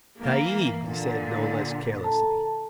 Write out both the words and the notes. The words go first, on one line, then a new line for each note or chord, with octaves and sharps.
"Tayeeb," he said, no less carelessly.
E3 A#3
A#2 D3
A4 A5 A#5